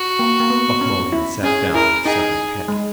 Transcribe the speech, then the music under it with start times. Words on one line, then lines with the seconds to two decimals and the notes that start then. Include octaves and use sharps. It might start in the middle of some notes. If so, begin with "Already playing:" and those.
Buck Mulligan sat down in a sudden pet.
Already playing: F#4
0.19 A#3
0.40 A#3
0.50 B3
0.81 C#4
1.12 E4
1.43 C#4 G#4
1.74 E4 A#4
2.05 D#4 G#4
2.68 G#3